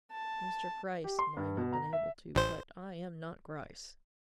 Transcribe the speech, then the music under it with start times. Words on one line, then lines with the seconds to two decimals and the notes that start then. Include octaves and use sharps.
Mr. Gryce might have been able to, but I am not Gryce.
0.12 A5
1.04 G4
1.19 C6
1.37 G2
1.57 B2
1.73 A#5
1.93 E5
2.35 A1 C5